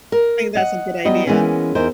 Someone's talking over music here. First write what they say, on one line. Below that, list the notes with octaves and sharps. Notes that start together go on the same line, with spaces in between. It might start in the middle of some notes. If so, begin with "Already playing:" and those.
I think that's a good idea.
A#4
D#5 F#5
F#3 G3 B3 D#5
E3 G#3 A#3 B3 C#4
E2 D#4 A#4 C5